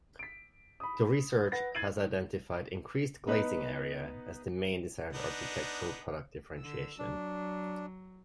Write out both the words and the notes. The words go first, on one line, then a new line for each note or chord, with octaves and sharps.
The research has identified increased glazing area as the main desired architectural product differentiation.
B6 D7
B5 D#6
B4 F#5 A#6
G#6 A6 C7 D#7 F#7
B3 D#4 B4 D#5
B3 D4 D#4
D3 E6
F#3 D4